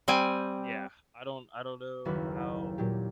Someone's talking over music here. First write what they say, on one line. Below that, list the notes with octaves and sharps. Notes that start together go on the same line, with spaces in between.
Yeah, I don't I don't know how
G3 C4 G#5
F#1 D#2 E4 F#4 B4
A#2 F#3 G4